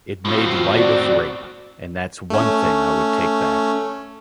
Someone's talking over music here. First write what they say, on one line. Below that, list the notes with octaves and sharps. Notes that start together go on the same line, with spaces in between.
It made light of rape, and that's the one thing I would take back.
A2 C4 F4 F#4
F#4 D5
A3 C#4